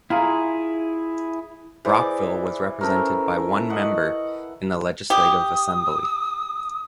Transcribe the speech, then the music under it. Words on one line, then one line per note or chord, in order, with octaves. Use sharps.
Brockville was represented by one member in the Legislative Assembly.
E4 F4 G#4 A#5
E3 G#4 C5 D5 D6
C#4 A4 A#4 C5 C#6
D#5 F#5 C#6 D#6
G4 D#6